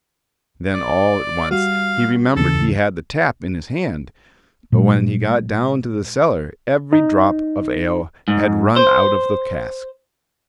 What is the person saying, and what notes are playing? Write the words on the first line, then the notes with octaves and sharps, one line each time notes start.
Then all at once he remembered he had the tap in his hand; but when he got down to the cellar, every drop of ale had run out of the cask.
D5
G3 F#4 F5
D#2 C#3 E3 A4
A#2 F#3 G#3
D#4
G#2
C5